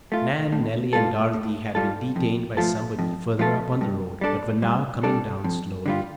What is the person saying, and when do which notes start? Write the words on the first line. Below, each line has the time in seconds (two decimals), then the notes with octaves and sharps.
Nan, Nellie, and Dorothy had been detained by somebody further up on the road, but were now coming down, slowly.
0.12 A3 F4
0.52 A2
0.93 G3 F4 A4
1.34 A2
1.75 G3 F4 A4
2.16 F2
2.57 F3 A3 F4 A4
2.99 F2
3.39 F3 A3 F4 A4
3.81 G2
4.21 G3 D4 A4
4.62 G2
5.04 G3 D4 A4
5.44 F2
5.86 D3 G3 F4